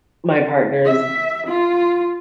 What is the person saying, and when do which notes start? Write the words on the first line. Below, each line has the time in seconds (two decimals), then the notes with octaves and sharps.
My partner's
0.85 E5
1.47 F4